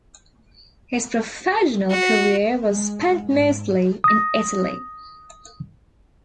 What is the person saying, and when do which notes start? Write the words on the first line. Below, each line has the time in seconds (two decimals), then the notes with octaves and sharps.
His professional career was spent mostly in Italy.
1.90 F#4
2.65 G#3
3.22 G#2
4.04 D#6 A#6